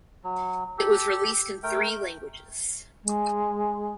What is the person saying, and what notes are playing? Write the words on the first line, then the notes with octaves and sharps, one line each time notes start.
It was released in three languages.
F#3
G4 A4
A3 A#4 G5
G#3